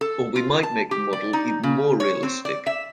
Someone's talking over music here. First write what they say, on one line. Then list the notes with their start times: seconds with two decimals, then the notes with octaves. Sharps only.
Or we might make the model even more realistic.
0.01 A4
0.36 F4
0.63 A5
0.91 G4
1.13 D5
1.33 D#4
1.63 C#3
2.00 C#5
2.23 C4
2.45 D5
2.66 E5